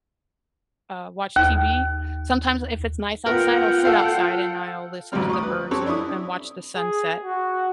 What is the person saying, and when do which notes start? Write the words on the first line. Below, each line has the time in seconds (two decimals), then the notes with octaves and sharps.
uh, watch TV. Sometimes if it's nice outside, I'll sit outside and I'll listen to the birds and and watch the sunset.
1.36 D#2
3.26 B3 F4 A#4 F#5 G5
3.85 A4 F5
5.12 A1 D2 F#3 G3 C4 F6
5.29 C#6 D#6
5.43 B4
5.71 C4 C#4 G4 A4 C#5
5.86 D4 E4 C#6 D#6
6.76 G#4
7.23 F#4